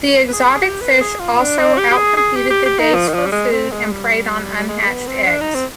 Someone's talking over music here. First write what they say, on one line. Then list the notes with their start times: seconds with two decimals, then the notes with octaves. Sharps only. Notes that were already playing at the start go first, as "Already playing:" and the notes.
The exotic fish also out-competed the dace for food and preyed on unhatched eggs.
0.28 B4
0.33 G#4
0.55 G#4
0.61 G4
0.81 B4
1.01 G#4
1.20 F4
1.39 D4
1.59 C4
1.78 G4
1.90 G4
1.97 G#4
2.17 G#4
2.36 G4
2.50 G4
2.65 G4
2.79 D#4
2.94 F3
3.08 D#3
3.14 F3
3.26 G3
3.32 G#3
3.52 C4
3.71 G#3
3.91 G3
4.57 G3
4.68 G#3
4.82 G#3
4.87 B3
5.07 C4
5.26 D4
5.41 D#4
5.55 C4